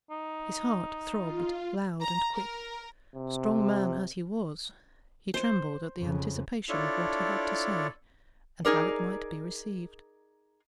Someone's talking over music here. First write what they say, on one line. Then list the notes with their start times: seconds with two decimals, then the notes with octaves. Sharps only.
His heart throbbed loud and quick. Strong man as he was, he trembled at the anticipation of what he had to say, and how it might be received.
0.11 D#4
1.16 F4
2.01 A#5
2.32 A#4
3.15 C3
5.34 C5
5.98 F2 C#3
6.69 D4 E4 F4 A4 C#5 D5
8.65 D#4 G#4 A#4 D5